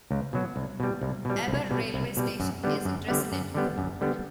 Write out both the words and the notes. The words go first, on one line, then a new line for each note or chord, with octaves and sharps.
Aber railway station is in Trecenydd.
C#2
B2 F#3
C2
B2 G3
C2
B2 G3
C2
B2 G3
C2
B2 G3
F#2
D3 G3 B3
F#2
D3 G3 B3
F#2
D3 G3 B3
F#2
D3 G3 B3